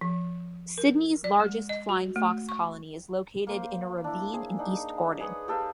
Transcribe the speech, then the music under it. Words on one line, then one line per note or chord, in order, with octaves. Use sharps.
Sydney's largest flying fox colony is located in a ravine in East Gordon.
F3
A#4
D5
G#3
D#5
F#4
A3
C#6
A#3 C5
D4 E4
G#4 C5 G#5
D4 D#4
G#4 B4 C#5 D#6
G4 A4 B4 F5